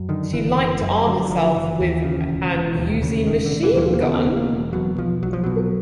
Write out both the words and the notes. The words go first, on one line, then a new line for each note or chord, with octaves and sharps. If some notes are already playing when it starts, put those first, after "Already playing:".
She liked to arm herself with an Uzi machine-gun.
Already playing: F#2
D3 D#3
F#1 E3
F#1
F#2
D3 F#3
F#3
F#1 F3
F#1 E3
D#2
C#3
E1
E1
D#2
C#3
E1 D#3
D3
E1
E3
D#2 E3
F3
A#3
C#3 B3
E1
A#3
E1
B2 F#3
B1 F3
B1 F#3
F3
B2 F#3